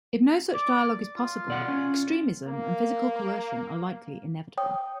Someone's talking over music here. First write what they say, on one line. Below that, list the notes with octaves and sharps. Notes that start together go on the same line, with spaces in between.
If no such dialogue is possible, extremism and physical coercion are likely inevitable.
D5
F4
B2 D5 F#5
C#4
A#3
C#5 G5 D#6